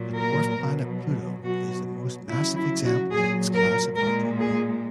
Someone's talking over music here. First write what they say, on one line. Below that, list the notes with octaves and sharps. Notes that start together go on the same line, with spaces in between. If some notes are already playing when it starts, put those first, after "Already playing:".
The dwarf planet Pluto is the most massive example of this class of object.
Already playing: A#2 F#3
A#4
B2 F#3
B2 F#3 F#4
C#3 F#3 E4
E4
F#4
A#2 F#3 G#4
A#4
A#2 G#3 A#4
G#4